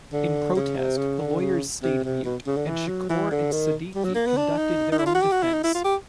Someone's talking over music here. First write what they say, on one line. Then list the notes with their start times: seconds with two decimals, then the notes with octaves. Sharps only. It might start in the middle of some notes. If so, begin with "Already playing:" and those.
In protest, the lawyers stayed mute, and Shakur and Sadiki conducted their own defense.
0.13 D3
0.56 C#3
0.76 C3
0.97 C#3
1.19 D3
1.40 C#3
1.83 C3
2.04 C3
2.24 B2
2.46 C#3
2.57 D3
2.67 E3
2.88 F#3
3.09 E3
3.31 D3
3.52 D#3
3.95 G3
4.04 F#3
4.15 A#3
4.26 B3
4.37 D4
4.57 D#4
4.92 D#4
4.98 E4
5.06 F4
5.14 F#4
5.22 G4
5.32 F#4
5.43 E4
5.53 D#4
5.64 E4
5.75 F4
5.84 G4